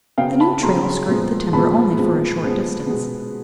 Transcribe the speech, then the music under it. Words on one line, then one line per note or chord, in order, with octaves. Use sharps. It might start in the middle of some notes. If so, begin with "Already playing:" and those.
The new trail skirted the timber only for a short distance.
C#3 F#3 B3 F5 G5
A5 B5
C#3 F#3 B3 A#5 C6
A#2 F3 G#3 B3
A#2 F3 G#3 B3 A5 B5
A#2 F3 G#3 B3
A#2 F3 G#3 B3
B2 G#3 B3